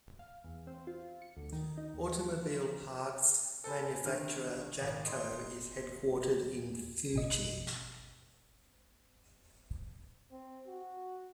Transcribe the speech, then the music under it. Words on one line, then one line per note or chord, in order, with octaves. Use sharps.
Automobile parts manufacturer Jatco is headquartered in Fuji.
F5
E2
C4
F4
C#7
D2
D#3
D#4
D#2
F3
A4 C5 G#5 B5
D3 D#3 F6
G#1
D#4 C6
A1 B2 D#5
C4
F#4